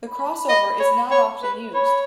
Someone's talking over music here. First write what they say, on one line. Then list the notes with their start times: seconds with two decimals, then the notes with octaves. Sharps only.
The crossover is not often used.
0.08 B5
0.29 B5
0.49 D#5
0.80 C#5
1.11 C#5
1.43 B4
1.73 C#5 B5
1.85 B5